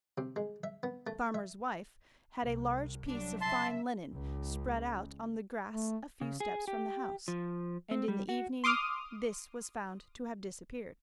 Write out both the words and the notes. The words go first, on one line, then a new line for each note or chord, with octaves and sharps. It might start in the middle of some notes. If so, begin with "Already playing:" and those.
The farmer's wife had a large piece of fine linen spread out on the grass a few steps from the house, and in the evening this was found to have disappeared.
C3
G#3
E5
B3
A3
E5
C2
F#3 G3 D4
C#3 E5 A5 C6
C#2
A3
C#3
G#4
G4
F3
C4
G3
F#4
C6 D6 D#6 F6